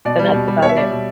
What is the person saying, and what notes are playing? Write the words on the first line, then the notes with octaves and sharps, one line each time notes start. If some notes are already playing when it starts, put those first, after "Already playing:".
and that's about it.
B2 D5
G3
B2
G3
B2 C#5
E5
G3 D5
B2